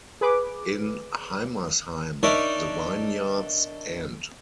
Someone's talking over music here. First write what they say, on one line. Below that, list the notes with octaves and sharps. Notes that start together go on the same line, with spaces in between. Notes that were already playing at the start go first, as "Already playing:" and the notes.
In Heimersheim, the vineyards end.
G#4 B4 D6
D4 D#4 A#4 C#5 D5 E5